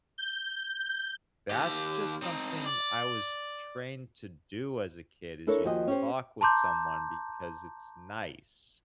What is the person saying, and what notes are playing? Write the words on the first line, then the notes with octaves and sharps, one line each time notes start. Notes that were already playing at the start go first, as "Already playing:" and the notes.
"That's just something I was trained to do as a kid is you talk with someone because it's nice."
G6
D#2 G4
C4 D#4
D5
D4 E4 A4 A#4 C#5
D#2 F3 F#4 G4 D#5 G#5
C#4 G4 C5
A5 A#5 C6 D6 G6